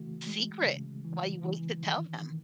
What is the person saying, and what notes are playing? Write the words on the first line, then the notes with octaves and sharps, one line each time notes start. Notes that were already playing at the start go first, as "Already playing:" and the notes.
secret while you wait to tell them?
Already playing: C#3 E3 A3 F#4
G#3
C#3
E3
E3
D#3
D#3